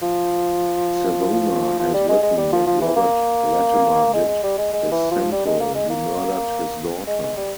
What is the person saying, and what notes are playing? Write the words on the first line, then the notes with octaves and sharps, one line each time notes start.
Savona has written, What Robert Latimer did is simple: He murdered his daughter.
F3
F3
G3
G#3
G#3
G3
F3
F3
E3
A#3
G#3
G#3
G3
G#3
G#3
E3
F3
G3
G#3
A#3
G#3
A#3
G#3
G#3
G3